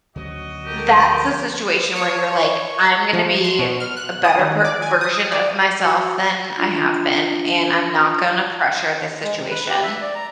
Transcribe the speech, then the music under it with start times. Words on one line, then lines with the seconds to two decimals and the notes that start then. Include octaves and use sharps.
that's the situation where you're, like, "I'm gonna be a a better per version of myself than I have been, and I'm not gonna pressure this situation."
0.16 D2 C#3 F#3 F#4 D#5
0.66 F3 G4 A4 A#4
1.96 C#5
3.13 F3
3.44 C6
3.59 B2
3.80 F6
3.97 F#6
4.25 D#6
4.39 D#3
4.65 D5
4.82 G#5
5.01 D#6
5.32 D5
5.85 F#4
6.57 D4 F4
9.23 G#3
9.37 C3
9.50 B4
9.69 G4
9.83 E5
10.02 D5
10.15 A#5